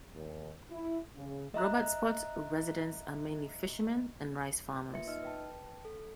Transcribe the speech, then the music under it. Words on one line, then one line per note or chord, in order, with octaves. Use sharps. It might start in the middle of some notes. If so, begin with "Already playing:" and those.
Robertsport residents are mainly fishermen and rice farmers.
D#2
E4
C#3
D#5 E5 A#5 F#6
A#3 F4 B4 E5 C#7
D#4 D#5 E6 F6
B4 G5 A5
A4